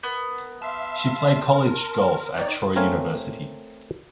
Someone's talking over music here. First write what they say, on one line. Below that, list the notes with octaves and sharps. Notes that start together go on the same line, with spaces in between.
She played college golf at Troy University.
B3 A#4
E5 F5 A5 C6
A#4
D#4 C#5 D5 G5
A3 C4 A#4 C#5 F5 G#5